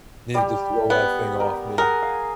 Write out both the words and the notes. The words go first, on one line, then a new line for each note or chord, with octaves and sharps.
needed to throw that thing off me.
G3 G4
B3
A#4
G#4 A#4 F#5 G#5
F5